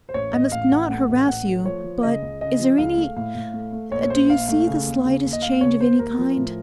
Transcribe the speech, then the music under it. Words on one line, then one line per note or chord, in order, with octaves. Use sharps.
I must not harass you; but is there any--do you see the slightest change of any kind?'
C5
A1 C#5
A1 D#5
A2 F5
A1 F#5
A3 F#5
A1
A1 F#5
A3
F3 C#5
F3
C#3 D#5
C#2
C#3 D#5
F3
C#2 F5
A3
A2 F5
A2
A3
A3
A#1 C#5
C#5
A#1 C5
A#1 F5
A3 F5
C#3
D#2
C#3
D#2
D#5
D#2 F5
C#3 C#5
D#2 C5
D#2 A#4
F3
A2